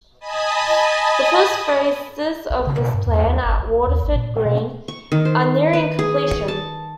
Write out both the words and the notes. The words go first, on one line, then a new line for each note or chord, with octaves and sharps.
The first phases of this plan, at Waterford Green, are nearing completion.
D#5 G#5 A5 B5 D#6
B1
C#3
B2
G2
E2
D#2
G1
B1
D#2
A1
A#2
B2
C#6
D#3
C5
B4
G#4
C#6
A5